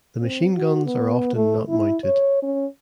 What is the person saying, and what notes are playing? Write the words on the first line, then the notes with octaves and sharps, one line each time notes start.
The machine guns are often not mounted.
C4
F#4
B3
A3
E4
C#5
C#4